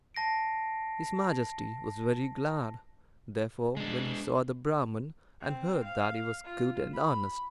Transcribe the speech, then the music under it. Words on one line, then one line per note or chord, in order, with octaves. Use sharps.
His Majesty was very glad, therefore, when he saw the Brahman and heard that he was good and honest.
A5 A#6 C7 D7
G#3 D4
C4
F5
F4
B5